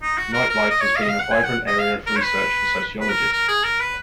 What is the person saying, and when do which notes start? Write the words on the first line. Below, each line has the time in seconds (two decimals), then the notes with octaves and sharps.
Nightlife has been a vibrant area of research for sociologists.
0.02 D#4
0.18 F#4
0.33 A#4
0.49 A#4
0.70 D#5
0.81 C#5
0.96 F5
1.02 D#5
1.08 F5
1.19 F#5
1.32 G#5
1.44 F#5
1.67 D#5
1.79 F5
2.07 A#4
2.16 C#5
2.22 B4
3.01 B4
3.09 A#4
3.33 A#4
3.48 G#4
3.64 A#4
3.80 B4